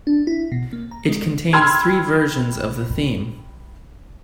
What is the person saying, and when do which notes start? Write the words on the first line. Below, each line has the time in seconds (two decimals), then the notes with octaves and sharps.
It contains three versions of the theme.
0.07 D4
0.27 E4
0.52 B2
0.73 A#3
0.91 A#5
1.09 G#3
1.53 G5 B5 C6 E6 F6 G#6